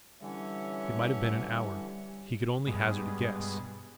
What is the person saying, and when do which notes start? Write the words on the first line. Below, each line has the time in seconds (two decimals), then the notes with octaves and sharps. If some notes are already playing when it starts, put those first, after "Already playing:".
It might have been an hour--he could only hazard a guess.
0.22 D3 E3 G3 C#4 C#5 E5
2.67 G2 B2 G#3